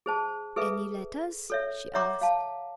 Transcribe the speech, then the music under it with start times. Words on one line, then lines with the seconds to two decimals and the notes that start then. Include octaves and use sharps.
"Any letters?" she asked.
0.06 G#4 C5 A5
0.56 G#4 A4 B4 E5
1.50 A4 C#5 E5
1.94 C#5 E5 F#5 A#5 C#6 D6
2.21 F5 A5